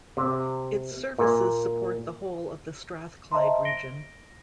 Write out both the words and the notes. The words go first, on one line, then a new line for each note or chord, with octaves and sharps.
Its services support the whole of the Strathclyde region.
C3
A#2
C5 D#5 E5 A5 A#5 C6
A#6 D7 G7